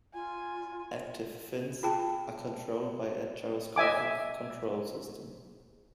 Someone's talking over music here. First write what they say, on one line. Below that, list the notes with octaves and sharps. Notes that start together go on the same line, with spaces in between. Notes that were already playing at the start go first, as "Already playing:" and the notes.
"Active fins" are controlled by a gyroscopic control system.
F4 G#5
F4 G#4 G5 A5
D#5 E5 G#5 D6